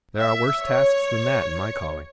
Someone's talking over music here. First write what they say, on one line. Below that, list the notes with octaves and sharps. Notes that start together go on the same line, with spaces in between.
There are worse tasks than that, in my calling.'
E5
C#5